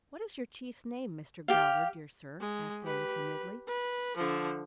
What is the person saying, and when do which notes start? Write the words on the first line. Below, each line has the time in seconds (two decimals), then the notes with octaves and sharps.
"What is your Chief's name, Mr. Growler, dear sir?" asked Ann timidly.
1.48 G4 F5
2.40 G#3
2.83 G4 B4
3.67 B4
4.17 D3 F3